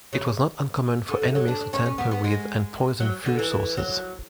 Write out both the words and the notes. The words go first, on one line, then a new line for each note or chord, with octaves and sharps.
It was not uncommon for enemies to tamper with and poison food sources.
C#3
D3
D3
F#3
D4
D4
C#4
C#4
B3
B3
G#3
F#3
D3
E3
F#3